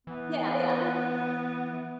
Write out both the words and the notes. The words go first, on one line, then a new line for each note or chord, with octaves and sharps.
Yeah, yeah.
E3 B3